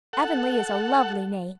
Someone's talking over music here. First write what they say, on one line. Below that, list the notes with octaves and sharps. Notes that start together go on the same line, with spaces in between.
Avonlea is a lovely name.
A4 F#5